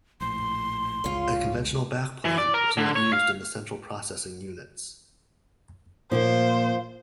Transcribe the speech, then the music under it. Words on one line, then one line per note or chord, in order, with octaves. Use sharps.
A conventional backplane was not used in the central processing units.
A#1 A2 C6
G1 C#2 G#3 C#4 F4
E3
D5
A#4
D3
C#5
F5
A#2 F3 A#3 F4 C5